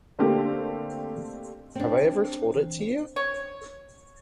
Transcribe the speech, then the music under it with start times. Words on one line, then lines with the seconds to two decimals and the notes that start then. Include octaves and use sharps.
Have I ever told it you?
0.19 D3 A3 A#3 C4 G4 A#4
1.75 C4 D4
3.16 C#5